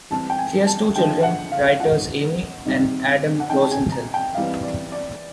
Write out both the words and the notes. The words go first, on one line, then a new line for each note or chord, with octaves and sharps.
She has two children, writers Amy and Adam Rosenthal.
E3 G3 C4 A5
G5
G#5
A5
G2 D3 F3 G#3 G5
F#5
F5
F5
D#3 G#3 C#4 F4 F#5
C3 D#3 G3 C4
F#5
C3 D#3 G#3 C#4 G5
A5
G#5
A#5
G5
E3 G3 C4 D#4 F5
D5
D5